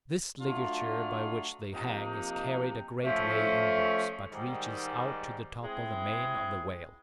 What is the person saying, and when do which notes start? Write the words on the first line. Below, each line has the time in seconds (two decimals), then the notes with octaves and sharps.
This ligature by which they hang is carried a great way inwards, but reaches out to the top of the mane of the Whale.
0.41 F#3 A3 D4 F4
1.71 C3 F3 A#3 D#4
3.02 F3 A3 C#4
4.31 G#2 D#3 G3
5.62 G#3 C4 E4 G#4